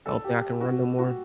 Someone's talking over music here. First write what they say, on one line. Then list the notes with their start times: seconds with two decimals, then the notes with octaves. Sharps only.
I don't think I can run no more.
0.06 A4
0.24 G4
0.61 F#4
0.98 F#4